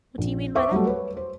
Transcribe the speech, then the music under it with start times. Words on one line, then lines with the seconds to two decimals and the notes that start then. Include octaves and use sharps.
"What do you mean by that?"
0.18 A#1
0.55 C5 E5 C#6 D6
0.71 F#3 G3 A3
0.87 B4 C#5
1.17 C5